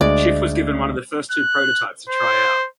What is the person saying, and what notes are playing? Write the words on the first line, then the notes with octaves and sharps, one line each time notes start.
Schiff was given one of the first two prototypes to try out.
D2 G#3 D5
F#6
C5